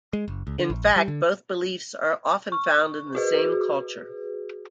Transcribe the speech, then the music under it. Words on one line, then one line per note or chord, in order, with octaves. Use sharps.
In fact both beliefs are often found in the same culture.
G#3
F#1
C#2
D3
A#1
G3
D3
C#6
F#4 G#4 B4